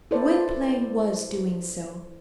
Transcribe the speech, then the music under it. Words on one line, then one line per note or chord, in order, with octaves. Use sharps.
Gwynplaine was doing so.
E4 A4 B4 C5 D5